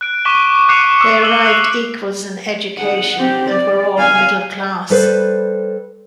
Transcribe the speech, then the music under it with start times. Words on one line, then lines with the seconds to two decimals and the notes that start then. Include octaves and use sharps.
They arrived equals in education and were all middle class.
0.01 F#6 D7
0.25 C#6 D6 B6 D#7 E7 G7
0.69 D6 F#6 C7 C#7 D#7 F7
1.01 D6 E6
1.22 C#6 E6 E7 F#7 G7
1.46 F#6 C7 F7
2.78 G#4 F#5
3.18 C4 G4
3.51 D5
3.98 F5 G#5
4.90 G3 A4 B4 C5